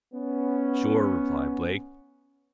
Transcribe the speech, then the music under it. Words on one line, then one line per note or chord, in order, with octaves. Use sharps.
"Sure," replied Blake.
B3 C#4